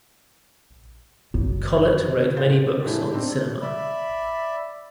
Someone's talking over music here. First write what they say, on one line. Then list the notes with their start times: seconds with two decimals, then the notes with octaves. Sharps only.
Collet wrote many books on cinema.
1.34 F#1 D#3
2.37 A2 D3 C5 F5 G6 A6
2.51 B3
2.82 F2 A2 C3 G#3 D4 E4
3.10 C4 D4 D#4 G4
3.62 D5 E5 B5